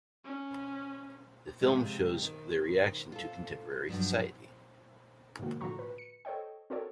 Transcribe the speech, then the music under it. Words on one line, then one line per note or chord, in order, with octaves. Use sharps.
The film shows their reaction to contemporary society.
C#4
F2 C3 G#3
D#3
F4 A4
G2 F3 F#3
G#2 C3 D#3 A#3 F#4
A2 D3 F3 F#4 A#5 C#6
B4
C#7
A4 C5 C#5 D#5 G5
C4 F#4 A4 A#4 C#5 D5